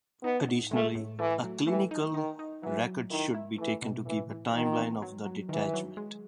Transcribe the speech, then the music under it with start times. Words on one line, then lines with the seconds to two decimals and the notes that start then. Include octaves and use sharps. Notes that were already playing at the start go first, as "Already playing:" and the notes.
Additionally, a clinical record should be taken to keep a timeline of the detachment.
0.23 B3 D#4
0.48 A2
0.71 G#3 A3
0.95 A2
1.19 E3 A3
1.44 F#3
1.67 E3 A3
1.91 D#4
2.14 D#3 D#4
2.39 D#4
2.63 E3 F#3
2.87 F#3
3.10 D#3 E4
3.34 E4
3.58 E3 A3
3.82 B2
4.06 A2 E3
4.30 E3
4.54 D#3 E3
4.78 B3
5.02 F#3
5.26 F#3
5.49 D#3 E3
5.74 F#3
5.97 G#3